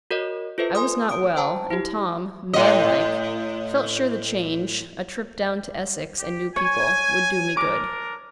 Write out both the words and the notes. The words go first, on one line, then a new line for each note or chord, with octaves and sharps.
I was not well, and Tom, manlike, felt sure the change, a trip down to Essex and new people, would do me good.
F#4 A#4 C#5 D#5
F4 A4 B4 C5 E5
G#5 C6 D#6
D#6 D7
C5 G5 A5 A#5
E4 G4
A2 D#5
G4
C#5 G#5
D4 A#4 D6